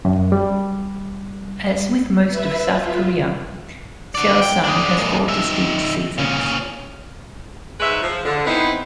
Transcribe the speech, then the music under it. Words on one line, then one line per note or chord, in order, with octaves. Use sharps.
As with most of South Korea, Seosan has four distinct seasons.
F#2
G3
B4 E5
F4
F#4 D5
G5
D4 G#4
G#3 A#3
D#3 E5
A#2 C#4
G#2 G#3 B4 C#5 E5
F3
D3
B3 C4 D#4 E4 B4 C5